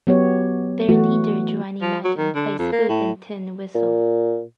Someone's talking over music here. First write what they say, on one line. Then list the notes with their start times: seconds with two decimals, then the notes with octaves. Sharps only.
Their leader Joanie Madden plays flute and tin whistle.
0.07 F#3 B3 G4 C#5
0.88 E3 A3 F#4
1.82 F3
2.04 F#3
2.18 D#3
2.35 D3
2.59 F2
2.72 A#3
2.89 A2
3.75 A#2